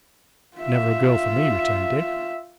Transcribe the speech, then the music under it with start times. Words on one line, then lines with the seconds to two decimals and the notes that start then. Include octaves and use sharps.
"Never a girl for me," returned Dick.
0.57 F4 E5